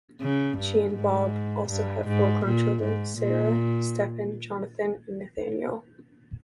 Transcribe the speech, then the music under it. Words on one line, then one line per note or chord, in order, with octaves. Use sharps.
She and Bob also have four grown children: Sarah, Stephan, Jonathan, and Nathaniel.
C#3
G2
G#2
G2
G#2
A#2
G#2
A#2